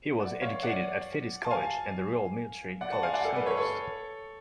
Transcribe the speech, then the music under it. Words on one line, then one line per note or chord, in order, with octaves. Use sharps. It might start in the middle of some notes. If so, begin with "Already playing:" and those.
He was educated at Fettes College and the Royal Military College, Sandhurst.
D5 F#5
C#5 F5
D5 F#5
A5
F5 G#5
D5 F#5
F#5 A5
F5 G#5
D5 F#5
A4
B4
A4 C#5
A4 C#5